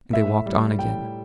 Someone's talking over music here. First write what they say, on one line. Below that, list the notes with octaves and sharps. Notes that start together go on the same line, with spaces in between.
And they walked on again.
A2 E5
G3
A2 G5